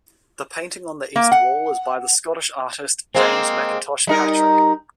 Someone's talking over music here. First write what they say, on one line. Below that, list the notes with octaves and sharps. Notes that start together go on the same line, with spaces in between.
The painting on the east wall is by the Scottish artist James McIntosh Patrick.
A#3
F#5
G#3 A#3 C4
G3 D#4 A#4